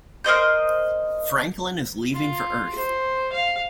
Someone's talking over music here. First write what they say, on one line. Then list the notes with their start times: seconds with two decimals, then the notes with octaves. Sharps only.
Franklin is leaving for Earth.
0.24 A#4 C5 D#5 G6
2.13 F4
2.75 C5
3.32 F5